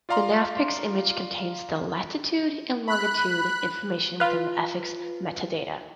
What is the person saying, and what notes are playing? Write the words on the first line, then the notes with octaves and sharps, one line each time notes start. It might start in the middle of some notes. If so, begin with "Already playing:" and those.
The NavPix image contains the latitude and longitude information within the Exif metadata.
F4 D5 F5 A#5 C6
B5 F#6
F4 B4